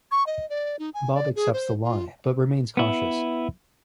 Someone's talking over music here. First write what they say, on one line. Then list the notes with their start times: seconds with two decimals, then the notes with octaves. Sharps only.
Bob accepts the lie but remains cautious.
0.11 C#6
0.27 D#5
0.50 D5
0.79 D#4
0.94 G#5
1.14 D5
1.36 G#4
1.53 C5
1.84 F4
2.77 B3 E4